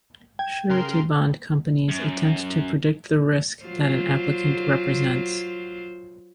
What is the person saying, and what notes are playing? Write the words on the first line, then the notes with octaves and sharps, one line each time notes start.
Surety bond companies attempt to predict the risk that an applicant represents.
G5 G#6
C#3 A#4 C6
F#2
F#3 F4 C5